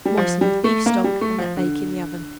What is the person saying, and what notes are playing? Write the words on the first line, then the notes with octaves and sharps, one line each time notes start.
Moisten with beef-stock and let bake in the oven.
G3
F3
G3
A3
A#3
G3
A3
F3
D3